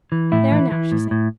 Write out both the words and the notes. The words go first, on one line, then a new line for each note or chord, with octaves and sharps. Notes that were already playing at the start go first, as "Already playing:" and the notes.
'There, now!' she said.
E3
A2 E4
E3
E3
A2
A2